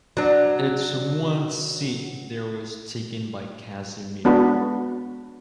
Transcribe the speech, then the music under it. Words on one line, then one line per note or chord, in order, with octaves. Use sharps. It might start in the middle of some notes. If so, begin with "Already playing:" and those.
Its one seat there was taken by Cazimir.
F#3 D4
G#3 B3 D4 F#4 B4 B5